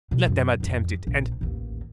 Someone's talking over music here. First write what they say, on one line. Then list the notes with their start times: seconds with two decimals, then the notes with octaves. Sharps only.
"Let them attempt it, and...."
0.11 B2 G3
0.27 F#2
0.60 A1 F2
1.07 A#1
1.41 A1 D#2